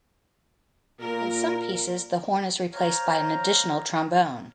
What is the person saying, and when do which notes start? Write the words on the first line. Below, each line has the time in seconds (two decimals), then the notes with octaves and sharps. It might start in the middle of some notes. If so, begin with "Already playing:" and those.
In some pieces, the horn is replaced by an additional trombone.
1.00 A#2 A#4
2.74 C5 C#5 F5 A#5